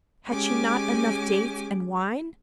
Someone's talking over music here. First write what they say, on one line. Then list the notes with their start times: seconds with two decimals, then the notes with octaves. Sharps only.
Had she not enough dates and wine?'
0.29 G#3 C#4 G4 G#4 G#5 D6